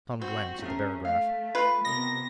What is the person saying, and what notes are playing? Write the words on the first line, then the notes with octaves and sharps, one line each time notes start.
Tom glanced at the barograph.
C4 F#4
A3 C#4 G#4 A#4
A3 F5
F4 B4
C3 B3 A#4 D#5 A#6